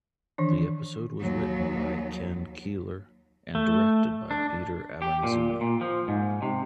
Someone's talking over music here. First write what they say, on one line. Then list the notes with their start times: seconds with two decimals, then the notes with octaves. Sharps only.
The episode was written by Ken Keeler and directed by Peter Avanzino.
0.38 D#3 E3 D4
1.20 D#2 F#3
3.55 A3
4.31 D4
5.02 G4
5.23 A#2
5.61 A#2
5.81 F3
6.08 G#2
6.42 C3